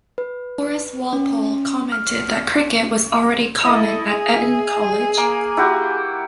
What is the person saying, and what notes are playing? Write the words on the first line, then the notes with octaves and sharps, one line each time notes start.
Horace Walpole commented that cricket was already "common" at Eton College.
B4
C#4
F6
E4 A4 D#5 E5 D#6
G#4
A#3
E4 F#4 G4